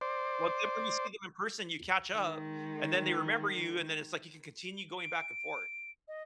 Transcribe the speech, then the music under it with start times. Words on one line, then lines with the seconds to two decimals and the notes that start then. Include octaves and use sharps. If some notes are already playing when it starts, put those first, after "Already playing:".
well, then when you see them in person, you catch up, and then they remember you, and then it's like you can continue going back and forth.
0.01 C5 D5
2.15 D#3 G#3
4.98 D7
6.08 D#5